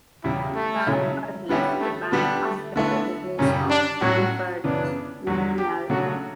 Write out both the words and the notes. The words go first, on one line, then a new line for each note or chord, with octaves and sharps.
Carver left the band after the release of "Pampered Menial".
E2 C#3 G3 E4
A3
C#3 F#3 C#4 E4
D3 G3 B3 C#4 E4
A3
D3 G3 B3 D4
A3
D3 A3 B3 E4
F#2 C#3 G3 C#4
D4
A2 F#3 C#4 F#4
F#2 C#3 E3 B3 D4
E2 D3 F#3 F#4
G4
C#3 F#3 A3 D4 F#4